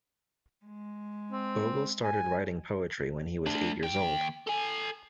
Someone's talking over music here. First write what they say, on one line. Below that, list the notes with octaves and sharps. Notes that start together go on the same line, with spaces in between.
Bogle started writing poetry when he was eight years old.
G#3
C4
G#5
A3 D4
D#2 G5
A4 G#5